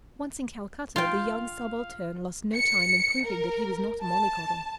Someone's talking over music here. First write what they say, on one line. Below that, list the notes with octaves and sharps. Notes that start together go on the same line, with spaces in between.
Once in Calcutta, the young subaltern lost no time in proving that he was not a mollycoddle.
F4 F5 G5
C#7
A#4
A5